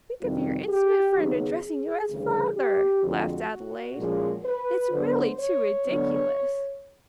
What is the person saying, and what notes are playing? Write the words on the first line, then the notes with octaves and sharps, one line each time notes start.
"Think of your intimate friend addressing you as father!" laughed Adelaide; "it's really too ridiculous."
F2 C3 D#3 G3 C4 F#4
G4
D#2 C#3 F#3 B3 D#4 G#4
G#4
D2 C#3 E3 G3
G4
F2 D3 F3 G#3 F#4
A#2 F3 G#3 C#4
B4
D3 F#3 B3 C5
C#5
D3 F#3 B3 D4